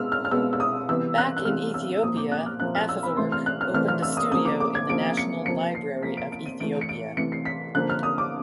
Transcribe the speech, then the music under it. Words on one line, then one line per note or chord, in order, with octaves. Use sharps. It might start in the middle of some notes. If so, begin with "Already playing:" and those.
Back in Ethiopia, Afewerk opened a studio in the National Library of Ethiopia.
Already playing: B2 G#3 B3 E6 F6
F6
F6
B2 G#3 B3 E6
E6
D#6
C3 E3 G3 B3 E6
F#6
F#6
C3 E3 G3 B3 F6
E6
A#2 F3 A#3 D#6
D6
F#6
F6
A#2 F3 A#3 F#6
F6
E6
B5
C3 E3 A3 C4 C6
F6
F#6
F6
C3 E3 A3 C4 F6
F6
E6
D#6
C#3 F3 A#3 D#6
D6
D6
G#6
C#3 F3 A#3 D7
C#7
C3 F3 A#3 C#7
C7
C3 F3 A#3 B6
D7
D7
D#7
C3 E3 A3 D7
C#7
D7
C3 E3 A3 C#7
C7
B6
D3 F3 A#3 F#6
F6
D#6
D6